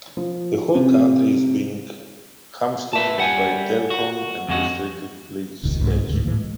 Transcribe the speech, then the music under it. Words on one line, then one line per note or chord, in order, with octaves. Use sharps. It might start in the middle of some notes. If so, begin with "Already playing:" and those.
The whole country is being hamstrung by Telkom and restrictive legislation.
F3
C3
B4 E5 A5
G3 F#5 G#5
F#4
F2 G#3 F#4
E1 C#2 A#2 D#3
C2 G#2
D2 G#2
A2 C3 E3 A#3
G#3